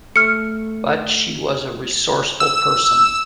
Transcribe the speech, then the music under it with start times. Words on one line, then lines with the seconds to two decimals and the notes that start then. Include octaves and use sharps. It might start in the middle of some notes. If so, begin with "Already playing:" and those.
But she was a resourceful person.
0.16 A3 F6 C#7
2.40 E6